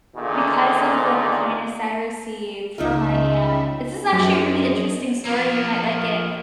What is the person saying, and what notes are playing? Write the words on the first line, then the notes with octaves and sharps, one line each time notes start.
because of, like, the kindness I receive from my aunt this is, actually, a really interesting story, you might like it.
E2 A#2 D3 D#3
C#2 C#3 D#4 F4 A#4 E5
F#2 G#4 C5 D#5
F3 A#3